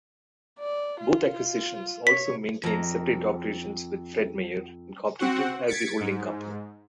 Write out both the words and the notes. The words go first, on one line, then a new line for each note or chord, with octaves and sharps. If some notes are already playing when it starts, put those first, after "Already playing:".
Both acquisitions also maintained separate operations with Fred Meyer, Incorporated as the holding company.
D5
F4
C#5 B6
F2 A#5
C4 F#4 F#5
G#6 A6 B6 C#7 D7
G#2